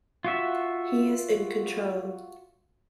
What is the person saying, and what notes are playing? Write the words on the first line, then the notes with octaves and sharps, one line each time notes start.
He is in control.
F4 F#4 E5